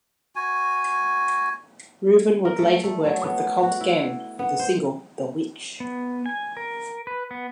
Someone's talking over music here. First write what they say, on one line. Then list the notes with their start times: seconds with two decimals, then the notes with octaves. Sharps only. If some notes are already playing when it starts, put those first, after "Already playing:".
Rubin would later work with The Cult again for the single "The Witch".
0.36 F#4 G#5
2.45 A#4
2.59 A3
2.84 A3
3.06 F#3
3.24 B3
3.63 F#4
3.81 E4
4.39 B3
4.59 C5
5.80 B3
6.26 G#5
6.57 A#4
7.07 B4
7.31 B3